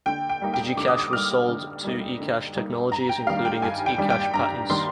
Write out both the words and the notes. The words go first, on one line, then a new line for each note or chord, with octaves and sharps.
DigiCash was sold to eCash Technologies, including its eCash patents.
D3 G5
G5
G3 A#3 D#4
G5
D3 D6
D#6
D6
G3 A#3 D#4 F6
D3
G3 A#3 D#4
D3
G3 A#3 D#4
G2 A#5
G5
D#3 G3 D4 F5
G5
G2 G#5
G5
D#3 G3 D4
G5
G2 A#5
D#3 G3 D4 C6